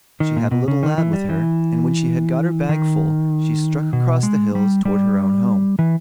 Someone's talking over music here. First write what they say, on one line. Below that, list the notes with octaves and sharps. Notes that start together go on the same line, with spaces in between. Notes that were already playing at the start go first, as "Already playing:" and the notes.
She had a little lad with her, and when she had got her bag full, she struck across the hills towards her own home.
D#3
A#2
B2
C#3
D#3
E3
G3
E3
D#3
B2
G#3
G3
G3
E3